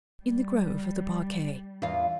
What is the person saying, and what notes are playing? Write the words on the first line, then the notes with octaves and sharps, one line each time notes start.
"In the grove of the parquet."
G3
E2 F4